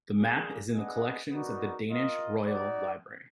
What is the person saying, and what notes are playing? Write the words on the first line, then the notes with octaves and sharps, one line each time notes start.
The map is in the collections of the Danish Royal Library.
A#3 D4 G#4
B3 D4 G#4 D#5 F#5
B3 D#4 F#4 A#4 D5
F4 A#4 D#5
D#4 F#4 D5